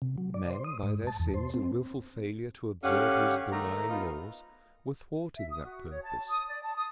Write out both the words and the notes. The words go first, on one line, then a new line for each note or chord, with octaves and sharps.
Men by their sins and wilful failure to observe his benign laws were thwarting that purpose.
C3
F#3
D5
C5
D#6
G#2
A5
E2
C5
C4
D3 C#4 G4 F5 F#5
D#3 A3 A#5
B3 D#4 F4
E5
D#6
F#4
C#5
A5
D#6
D5
A5
D#6